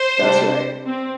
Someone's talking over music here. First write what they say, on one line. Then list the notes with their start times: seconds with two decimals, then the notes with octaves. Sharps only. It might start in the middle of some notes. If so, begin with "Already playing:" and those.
That's right.
Already playing: C5
0.20 C3 G3 D4
0.86 C4